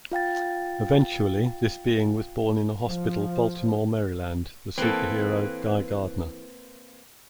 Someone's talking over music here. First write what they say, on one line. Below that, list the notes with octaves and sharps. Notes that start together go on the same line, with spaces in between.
Eventually this being was born in a hospital Baltimore, Maryland, the superhero Guy Gardner.
F4 F5 G5 A6
F3
E3 A#3 C4 A4 B4